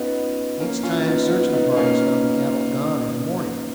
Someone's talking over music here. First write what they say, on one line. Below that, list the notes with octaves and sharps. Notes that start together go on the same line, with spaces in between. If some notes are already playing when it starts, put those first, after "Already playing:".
Each time searching parties found the cattle gone in the morning.
Already playing: B3 C#4 D#4 F4
A#3 C#4
C#4 F4
B3 D#4
B3 D#4
B3 D#4
A#3 C#4